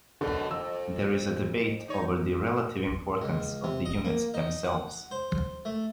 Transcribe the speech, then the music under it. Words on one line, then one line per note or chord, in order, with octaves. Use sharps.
There is debate over the relative importance of the units themselves.
F#2 B2 D3 A3
F2 E6
D#4 C#5
C#2
C3
D#5
A#3
D#4
F#5
C5
A3